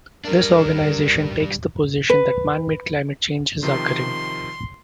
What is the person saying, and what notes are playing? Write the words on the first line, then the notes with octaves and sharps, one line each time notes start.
This organization takes the position that man-made climate change is occurring.
G3 D4 A#4
B4
C3 D#3 F3 C6